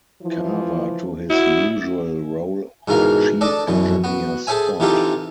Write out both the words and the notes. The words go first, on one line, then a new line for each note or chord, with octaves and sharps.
Carver to his usual role of Chief Engineer Scott.
E3 F3 E4
E4 F#4
G#2 B2 E3 A#4 F5
D4 A4 D5 D#5
F#2 B2 E3
B3 F#4
G#4 A4 C5 E5 G#5
C3 E3 D#4 F4 G4 A4